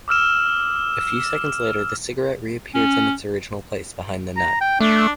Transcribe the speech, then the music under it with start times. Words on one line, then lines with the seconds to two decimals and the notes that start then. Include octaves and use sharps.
A few seconds later the cigarette re-appears in its original place, behind the nut.
0.08 D6 E6 F6 E7
2.75 C#4
4.37 A#5
4.61 G5
4.81 A3 D4